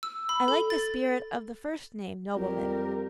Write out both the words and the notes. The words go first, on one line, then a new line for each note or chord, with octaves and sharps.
I like the spirit of the first-named nobleman.
E6
B5
A4
A6
F2 G3 G4 A#4